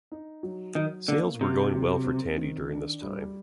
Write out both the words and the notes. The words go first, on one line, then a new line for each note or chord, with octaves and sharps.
Sales were going well for Tandy during this time.
D#4
F#3
D#3 F#3
D3 A#3
C3 F#4
F#3
C4
D#3
D4
G3